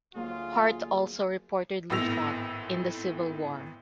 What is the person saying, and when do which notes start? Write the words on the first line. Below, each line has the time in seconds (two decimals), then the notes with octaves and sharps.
Hart also reportedly fought in the Civil War.
0.15 D2 F#3 A#3 D#4 F4 G#4
1.90 G#1 A2 B3 E6 A#6 F7